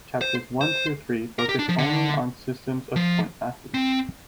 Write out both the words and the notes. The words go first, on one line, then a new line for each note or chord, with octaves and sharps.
Chapters one through three focus only on systems of point masses.
C5
C5
A#4
G4
D4
F3
D3
F3
C4